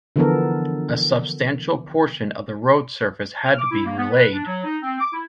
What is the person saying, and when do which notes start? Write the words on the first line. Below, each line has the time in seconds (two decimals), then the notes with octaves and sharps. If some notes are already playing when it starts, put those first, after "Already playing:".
A substantial portion of the road surface had to be relaid.
0.16 D3 E3 F3 B3 A4 A#4
3.45 F6
3.59 D6
3.71 E4
3.85 A#3
3.97 B3
4.11 B4
4.33 D4
4.45 F#3
4.64 D#4
4.82 C4
5.00 D6
5.13 E4